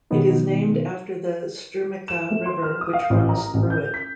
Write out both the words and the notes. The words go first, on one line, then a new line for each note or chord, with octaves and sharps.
It is named after the Strumica River which runs through it.
B2 D#3 F#3 B3 D#4
E7
A3
C6
F6
D#6
F5
A1
A#5
A1
G6
B6